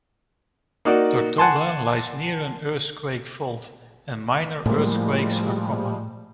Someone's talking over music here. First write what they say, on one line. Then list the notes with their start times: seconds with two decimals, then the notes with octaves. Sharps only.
Tortola lies near an earthquake fault, and minor earthquakes are common.
0.85 A#3 D#4 F#4 D5
1.38 F#5 G#5 A5 C6
4.66 A2 F3 G3 G#3 A#3